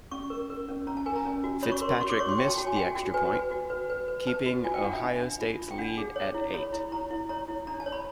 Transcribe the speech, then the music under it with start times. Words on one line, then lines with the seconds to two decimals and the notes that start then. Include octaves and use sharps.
Fitzpatrick missed the extra point, keeping Ohio State's lead at eight.
0.11 C#4 C#6
0.30 A#4
0.50 A#4
0.68 C#4
0.87 C#4 A#5
0.97 A5
1.06 A#4 G#5
1.16 A#5
1.25 C#4
1.44 F#4
1.63 C#5 B5
1.72 C#6
1.81 A#4 C6
1.92 C6
2.00 F#4 C#6
2.10 D6
2.19 C#5 C#6
2.29 C6
2.38 F#4 G5
2.48 A5
2.58 F#4 A5
2.67 G#5
2.76 F#4 G5
2.95 F#4
3.14 B4 G#5
3.33 B4
3.51 F#4
3.70 B4
3.90 B4
4.08 B4
4.27 B4 A5
4.46 F#4
4.64 F4 G#5
4.75 G5
4.84 D4 F#5
4.93 E5
5.02 D4
5.21 D4
5.41 F4
5.60 F4
5.71 G5
5.78 D4 F#5
5.98 G#4
6.16 C#5
6.34 E4
6.54 C#5 B5
6.73 E4
6.92 E4 A#5
7.11 E4
7.29 C#5 A#5
7.48 E4
7.67 D4 A#5
7.80 A5
7.86 C#5
7.92 B5